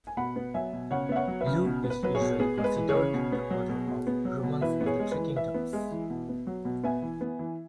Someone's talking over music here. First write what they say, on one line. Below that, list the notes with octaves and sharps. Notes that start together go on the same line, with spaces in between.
Luo is usually considered the author of "Romance of the Three Kingdoms".
G#5
B2 F#5 B5
B3
F#3 E5 G#5
B2
C#3 C#5 F#5
B3 E5
C#5 F#5
F#3
B4 E5
C#3
B2
B3
B4
F#3 B4
G#4 C#5
B2
B3 G#4
G#3
B4
E3
G#4 C#5
C#3
B2
B3
F#3
B2
B2
B3
F#3
B2
E3 B4 E5
B3
G#4 C#5
G#3
B4
E3
E3 B4 E5
B3
G#3
E3
B2
B3
F#3
B2
B3 E5 G#5
E3
B3
E3